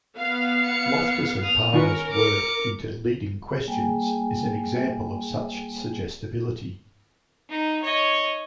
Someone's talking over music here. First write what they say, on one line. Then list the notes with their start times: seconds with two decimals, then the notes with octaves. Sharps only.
Loftus and Palmer's work into leading questions is an example of such suggestibility.
0.17 B3 F5
0.65 C#7
1.43 D#6 F7
1.74 D#3 C#4 F4 A#4 B4 C#6
2.11 D6 C#7
3.68 G3 A3 A#3 G#4 G5 G#5
7.49 D#4
7.83 C#5 D#5